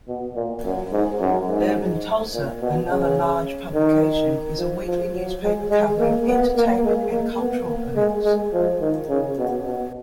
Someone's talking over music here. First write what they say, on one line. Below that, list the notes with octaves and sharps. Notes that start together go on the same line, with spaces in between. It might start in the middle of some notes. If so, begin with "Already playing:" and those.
"Urban Tulsa", another large publication, is a weekly newspaper covering entertainment and cultural events.
B2
A#2
F#2
G#2
F#2
G#2
A#2
B2
C#3
D#3
F3
F3
F#3
G#3
G#3
A#3
B3
A#3
G#3
A#3
B3
A#3
G#3
G#3
F3
D#3
C#3
B2
B2